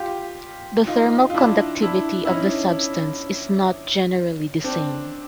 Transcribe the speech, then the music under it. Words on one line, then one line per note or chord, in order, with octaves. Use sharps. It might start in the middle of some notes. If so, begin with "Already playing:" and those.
The thermal conductivity of the substance is not generally the same.
Already playing: F4 G4
D#4 F4
F4
D4 E4
D4 E4
E4
C#4 D#4
C4 D4